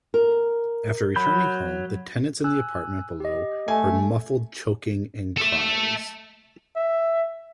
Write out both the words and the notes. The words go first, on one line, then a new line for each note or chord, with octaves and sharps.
After returning home, the tenants in the apartment below heard muffled choking and cries.
A#4
F#3 B5 G6
G#5 E6 F#6
G4 D#5
A3 G#5
A4 E5
E5